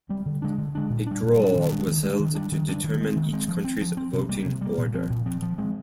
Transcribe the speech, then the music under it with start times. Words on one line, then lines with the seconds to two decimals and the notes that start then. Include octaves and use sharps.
A draw was held to determine each country's voting order.
0.09 G3 C4
0.26 D3
0.42 G#3 D4
0.58 D3
0.75 G#3 D4
0.90 A#2
1.07 G3 D4
1.22 A#2
1.39 G3 D4
1.56 D#3
1.72 G#3 D4
1.87 D#3
2.03 G#3 D4
2.20 D#3
2.35 G3 D4
2.52 D#3
2.69 G3 D4
2.84 D#3
3.01 G#3 C4
3.16 D#3
3.33 G#3 C4
3.48 F3
3.64 C4
3.81 F3
3.97 C4
4.13 C3
4.29 G3 A#3
4.45 C3
4.61 G3 A#3
4.78 A#2
4.94 F3 C4
5.10 A#2
5.26 F3 C4
5.42 F3
5.58 G#3 C4